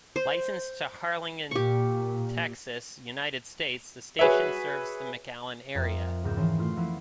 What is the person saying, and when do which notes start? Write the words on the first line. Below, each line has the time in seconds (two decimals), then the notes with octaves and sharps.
Licensed to Harlingen, Texas, United States, the station serves the McAllen area.
0.16 C5
1.51 A#2 G4 C#6
4.19 F#4 G#4 B4 C#5 E5
5.75 F2 A#4 E5 A#6
6.24 C#2 G#2 A#4 D#6 G6 E7
6.36 D#3 E3 C#4 F4 C#5
6.58 F3 A3 E4 F4
6.77 F3 A#3 B3 E4